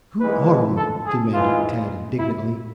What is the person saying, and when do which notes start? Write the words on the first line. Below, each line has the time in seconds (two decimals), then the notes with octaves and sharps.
"Who are you?" demanded Tad indignantly.
0.21 G#2 E3 G#3 B4
0.77 A4
1.06 G#4
1.34 G#2 E3 G#3 F4
2.19 E4